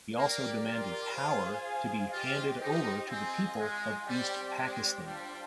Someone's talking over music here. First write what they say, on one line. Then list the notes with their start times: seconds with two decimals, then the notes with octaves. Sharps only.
He also demanded power to be handed over to the people of East Pakistan.
0.16 A#3 G4 A#4 D5
0.65 F4
1.14 G#4 C5 F5 G#5
2.12 F4 G4 C5 D#5
2.61 D#4
3.09 C4 F4 G#4 D#5 G#5
3.59 G#3
4.08 G3 C4 G4 D5 G5
4.56 G#3
5.06 G3 D4 F4 C5 G5